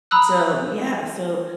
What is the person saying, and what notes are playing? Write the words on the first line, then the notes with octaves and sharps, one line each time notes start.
And so, yeah. So,
A#5 B5 D#6 E6 F#6